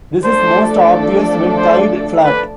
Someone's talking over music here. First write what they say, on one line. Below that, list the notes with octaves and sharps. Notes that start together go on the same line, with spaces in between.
This is most obvious when tied flat.
F3 A3 D4 A4 C5 D5
C5
B4